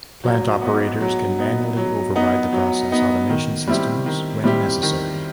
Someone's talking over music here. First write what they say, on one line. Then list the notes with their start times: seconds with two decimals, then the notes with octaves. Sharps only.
Plant operators can manually override the process automation systems when necessary.
0.24 F#3
0.62 B3 D#4
1.01 F#3
1.39 B3 D#4
1.77 F#3
2.16 B3 D#4
2.53 F#3
2.92 B3 D#4
3.30 D#3
3.68 G3 C4 E4 G4
4.06 D#3
4.44 G3 C4 E4 G4
4.83 D#3